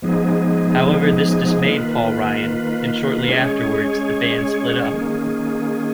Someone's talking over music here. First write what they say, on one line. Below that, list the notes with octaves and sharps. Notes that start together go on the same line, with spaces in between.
However, this dismayed Paul Ryan, and shortly afterwards the band split up.
F3 G#3 B3 D#4 G#4
D#3 A#3 F4 B4
G#3 C#4 G#4 C#5
D#3 A#3 C#4 G#4